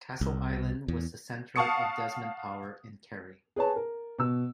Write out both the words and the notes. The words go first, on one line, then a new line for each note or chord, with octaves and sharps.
Castleisland was the centre of Desmond power in Kerry.
C2
E2
F5 F#5 A5 C#6 D#6 C#7
G#4 B4 C#5 A5
A#4
B2 E6